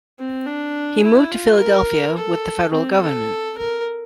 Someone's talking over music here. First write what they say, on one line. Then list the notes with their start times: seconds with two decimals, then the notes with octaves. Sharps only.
He moved to Philadelphia with the Federal Government.
0.19 C4
0.46 D4
1.03 E4
1.31 F4
1.59 A#4
2.17 A4
2.73 C4
3.01 A4
3.58 A#4